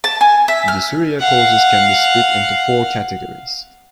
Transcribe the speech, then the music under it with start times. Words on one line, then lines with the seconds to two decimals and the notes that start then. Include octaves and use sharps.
Dysuria causes can be split into four categories.
0.04 A5
0.21 G#5
0.48 E5
0.68 F6
1.20 F5 F#5